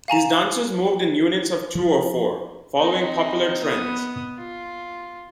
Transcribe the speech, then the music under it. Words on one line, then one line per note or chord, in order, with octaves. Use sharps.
His dancers moved in units of two or four, following popular trends.
F5 G#5 A#5 E7
F3
C4 D#4
B3 D#6
F4